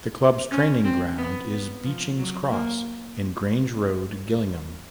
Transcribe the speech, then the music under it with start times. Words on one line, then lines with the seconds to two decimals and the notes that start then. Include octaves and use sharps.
The club's training ground is Beechings Cross, in Grange Road, Gillingham.
0.51 C#4
0.84 C4
1.18 B3
1.51 B3
1.85 F3
2.18 F#3
2.51 A#3